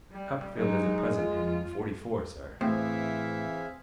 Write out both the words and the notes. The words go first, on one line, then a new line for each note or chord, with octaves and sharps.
Copperfield is at present in forty-four, sir.'
G3
F#3 G#3 D#4
F4
A2 E3 C4 G#4 C5 E5 F5